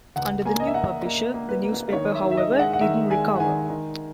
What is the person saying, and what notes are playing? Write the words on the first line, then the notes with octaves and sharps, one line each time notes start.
Under the new publisher, the newspaper however didn't recover.
C#2 F#5
A#3 G#5
D#5
E5
A#3 F#5
A#3
A#3
B4
A#3
D#3 C#5
E5
D#3
E5
D#5
G#3
F#5
F#5
D#3 E5
G#3 G#5
F#5
D#3 G#5
D#3